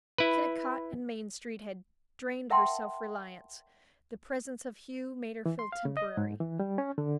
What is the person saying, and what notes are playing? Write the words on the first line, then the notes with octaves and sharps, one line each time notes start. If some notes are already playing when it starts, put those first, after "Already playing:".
Kennicott and Main Street had drained her self-reliance; the presence of Hugh made her feel temporary.
E4 B4
A#4 E5 F#5 G5 A5 C6
E3
C6
F5
C#3
D#5
G#2
E3
G3
C#4
D3